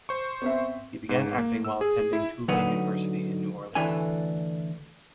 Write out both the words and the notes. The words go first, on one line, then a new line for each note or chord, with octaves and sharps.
He began acting while attending Tulane University in New Orleans.
C5 C#6
B3 C4 E5
G#2
A#3
E6
G#4
E4
D2 D3 F#3 D#4 B4 F#5
D2 E3 A3 D4 G#5